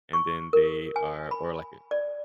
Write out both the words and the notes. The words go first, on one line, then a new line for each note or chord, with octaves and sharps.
and then they are or like a
C#6
A#4
G#5
B5
D5